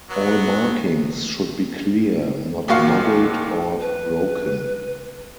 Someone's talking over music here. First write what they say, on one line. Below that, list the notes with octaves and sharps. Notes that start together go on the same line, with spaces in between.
All markings should be clear, not muddled or broken.
F#3 B3
D#2 A#2 F#4 F5 C#6 C7
B4